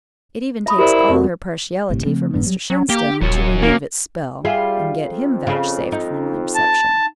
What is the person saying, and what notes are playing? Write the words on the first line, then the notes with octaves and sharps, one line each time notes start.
It even takes all her partiality for Mr Shenstone to remove its spell, and get him vouchsafed friendly reception.
E5 B5 D#6
E4 G4 A#4 C5 D5
F1 F#4
G1 A2 C3
C#3 F3 A3 C4
F1 G#2 E3 B3
F#3 G3
F#3
A#3 G4
D#1 F#3 C#4
A#3
G3 F4 G#4 E5
F2
C#3
D#4
A5